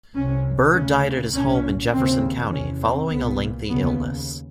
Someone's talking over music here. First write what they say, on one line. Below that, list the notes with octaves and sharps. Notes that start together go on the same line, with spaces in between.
Byrd died at his home in Jefferson County following a lengthy illness.
C2 C3 C#4
D2 C#3 C#4
C2 A#2 C#4
D#2 C#3 C4
E2 C3 C#4
C4
C2 A#2 B3
D#2 C#3 B3